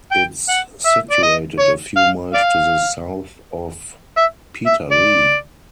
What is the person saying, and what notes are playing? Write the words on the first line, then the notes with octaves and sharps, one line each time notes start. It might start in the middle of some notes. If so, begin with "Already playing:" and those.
It's situated a few miles to the south of Peterlee.
G5
F#5
E5
D5
D#5
C#5
F5
D5 F5
E5
E5
D5